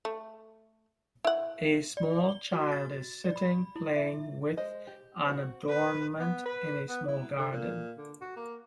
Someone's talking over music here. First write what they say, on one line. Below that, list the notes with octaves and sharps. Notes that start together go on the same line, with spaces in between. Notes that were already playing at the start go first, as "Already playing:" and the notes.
A small child is sitting playing with an adornment in a small garden.
A3
E4 F#5
D5
G7
F#4
A6
D5
B5
E4
E5
G#3 C5 D#5
G4
C4 F#4
B4
B3
B4
B3
E4
D3
A#2
D3
F#4
A#3